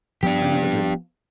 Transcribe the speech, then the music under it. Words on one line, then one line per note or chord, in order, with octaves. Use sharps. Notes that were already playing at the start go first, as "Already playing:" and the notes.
"I never did."
F3 B3 C4 D4 G4